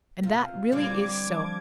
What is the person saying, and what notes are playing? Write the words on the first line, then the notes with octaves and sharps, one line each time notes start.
And that really is so.
C3 F4
D3 G3 C4 D6 G#6
F3